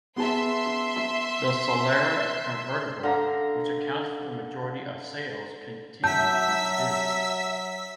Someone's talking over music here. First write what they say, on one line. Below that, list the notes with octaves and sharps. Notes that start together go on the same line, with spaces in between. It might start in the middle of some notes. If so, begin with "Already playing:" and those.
The Solara convertible, which accounts for the majority of sales, continued to be produced.
B3 G#4 E5 A5 C6
D3 F5 A#5
F#3 E5 A5 E6 G6 B6